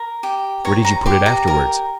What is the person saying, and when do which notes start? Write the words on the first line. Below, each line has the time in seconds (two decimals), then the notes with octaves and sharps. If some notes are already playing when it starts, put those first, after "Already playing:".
"Where did you put it afterwards?"
Already playing: A#4
0.23 G4
0.65 C#5 A#5
0.85 A#5
1.06 G4 C6
1.26 A#5
1.48 A#4